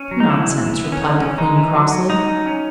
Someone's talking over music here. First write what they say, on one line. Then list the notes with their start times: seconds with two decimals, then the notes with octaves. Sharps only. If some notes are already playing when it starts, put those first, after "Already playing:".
'Nonsense!' replied the queen crossly.
Already playing: C#4
0.11 F#3
0.20 D#4
0.30 E3 E4
0.48 G#3
0.65 E3
0.84 B3
0.92 C#4
1.02 G#3 D#4
1.19 E3 C#4
1.38 G#3 D#4
1.56 E3
1.74 F#3
1.92 F#3
2.09 F#3 D#4
2.28 C#4
2.46 C#4